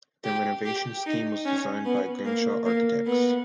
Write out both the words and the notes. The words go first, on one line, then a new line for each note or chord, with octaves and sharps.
The renovation scheme was designed by Grimshaw Architects.
G4
G4
D#4
C#4
B3
A#3
A#3
B3